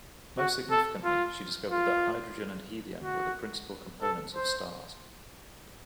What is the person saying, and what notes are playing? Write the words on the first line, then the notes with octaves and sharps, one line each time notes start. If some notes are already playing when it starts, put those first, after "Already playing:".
Most significantly, she discovered that hydrogen and helium were the principal components of stars.
F#4
A4
F4
F4
F#4
A4
C5